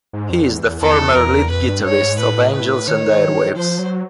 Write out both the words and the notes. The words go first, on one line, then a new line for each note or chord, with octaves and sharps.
He is the former lead guitarist of Angels and Airwaves.
G#2
F2
E2
E2
E2 A4
E2 A#4
F2 B4
G2
G2 C#5
G#2
A2 B4
B4
D#3 C#5
F3 C5
F#3